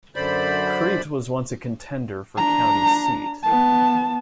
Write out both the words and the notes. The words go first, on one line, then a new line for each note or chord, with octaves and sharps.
Crete was once a contender for county seat.
F#2 D3 C5 D5 B5
D4 A#5
B3 A5